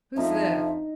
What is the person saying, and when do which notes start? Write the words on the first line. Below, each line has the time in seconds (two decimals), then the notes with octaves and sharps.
Who's there?
0.17 F2 F3 D#4 E5